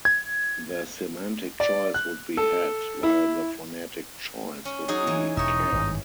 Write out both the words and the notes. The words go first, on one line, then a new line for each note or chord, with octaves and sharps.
The semantic choice would be "hat" while the phonetic choice would be "can".
G#6
D5
F#6
A4
E4
C#4
F#3 D#4 G#4
E3
E1 D#4 C#5 E5
G#1 G2